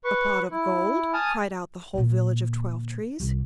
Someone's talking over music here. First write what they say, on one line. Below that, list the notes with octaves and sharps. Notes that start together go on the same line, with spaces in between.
"A pot of gold?" cried out the whole village of Twelve-trees.
B4 C#6
E4
G#5 A5 D#6 F6
A#2 D3
C2